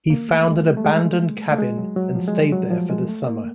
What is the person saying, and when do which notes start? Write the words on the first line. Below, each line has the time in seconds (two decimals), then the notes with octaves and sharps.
He found an abandoned cabin and stayed there for the summer.
0.10 A#3
0.29 A3
0.48 G#3
0.66 G3
0.77 A3
0.84 G#3
1.52 A3
1.58 G#3
1.78 F#3
1.96 F#3
2.15 F3
2.28 G#3
2.33 G3
2.53 F#3
2.70 F3
2.90 G#3
3.08 A3
3.27 A#3